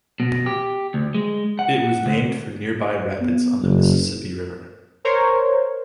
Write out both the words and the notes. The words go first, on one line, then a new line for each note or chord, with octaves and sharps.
It was named for nearby rapids on the Mississippi River.
B2
G4
D2
G#3
F#5
D2
B3
F#1
A#4 C5 C#5